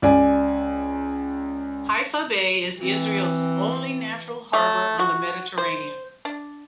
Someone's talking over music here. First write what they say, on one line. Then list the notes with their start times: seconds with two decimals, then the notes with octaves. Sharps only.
Haifa Bay is Israel's only natural harbor on the Mediterranean.
0.02 C#2 D5 G#5
2.81 E3 C4
4.53 A3
4.99 F#4
5.58 C5
6.25 D4